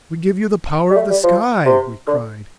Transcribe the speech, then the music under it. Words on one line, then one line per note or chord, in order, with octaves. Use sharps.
"We give you the power of the sky!" we cried.
G3
A3
G3
F3
C3
D3